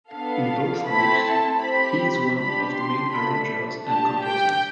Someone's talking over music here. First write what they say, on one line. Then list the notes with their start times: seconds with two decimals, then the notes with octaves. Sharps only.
In both groups, he is one of the main arrangers and composers.
0.11 B3 D4 A4 F5
0.86 A3 C4 E4 A4 B5
1.24 A5
1.61 C4 G4 B5
2.36 D4 G4 B5
2.74 C6
3.12 A3 D4 A4 B5
3.86 D4 G4 A5
4.24 G5